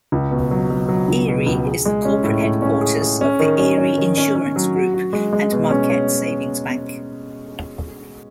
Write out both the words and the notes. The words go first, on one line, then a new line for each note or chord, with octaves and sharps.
Erie is the corporate headquarters of the Erie Insurance Group, and Marquette Savings Bank.
C#2
B2
F#3
F#3
F#3
C#2
B2
C#2
G#4
G#3
C#4
A2
A2
C#4
G#4
G#4
C#4
D#3
C#4
C#4
D#3
C#4
C#4
F#3
F#4
F#4
G#3
G#3
B2
C#4
C#4